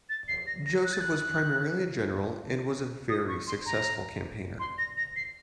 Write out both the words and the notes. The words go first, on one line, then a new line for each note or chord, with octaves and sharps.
Joseph was primarily a general and was a very successful campaigner.
A6
C7
A#6
A#6
F#6
A6
F#6
D#6
C#6
C6
A#5
C6
A#6
A#6
C7